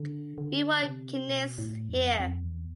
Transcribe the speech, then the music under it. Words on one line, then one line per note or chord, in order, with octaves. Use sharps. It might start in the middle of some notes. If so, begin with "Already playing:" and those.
We want keenness here.
Already playing: D3
D3
C3
B2
A2
F2
F2
E2